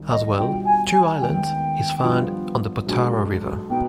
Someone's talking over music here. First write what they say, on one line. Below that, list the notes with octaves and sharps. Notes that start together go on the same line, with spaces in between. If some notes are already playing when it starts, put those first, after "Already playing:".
As well, 'Two Islands' is found on the Potaro River.
Already playing: C2 C3 D#3
D#5
B2 G3 D4 F4 G5
G#5
G#5
D#2 D#3 G#3 B3 G5
G2 F3 B3 D4 F4
B1 B2 G#3 D4
B2 B3 D#4 G5